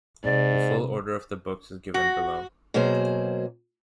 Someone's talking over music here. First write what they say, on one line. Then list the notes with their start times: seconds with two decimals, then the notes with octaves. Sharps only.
The full order of the books is given below.
0.24 G#2 C3 D5
1.94 F#4
2.74 B2 F#3 A#3 G#4 C5